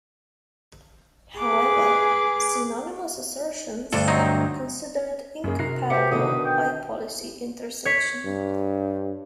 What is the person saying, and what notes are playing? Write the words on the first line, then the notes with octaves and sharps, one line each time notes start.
However, synonymous assertions are considered incompatible by a policy intersection.
G#4 B4 D6
D2 G2 A4
F#3 C4 D#4
F#2 C#3 A#3 G#4
C3 F#4 A#4 C7
B3 G4 G#4 C5 E5 C#7
B2 D3 D#3 B3 D#6
G5
C#5 B6
G2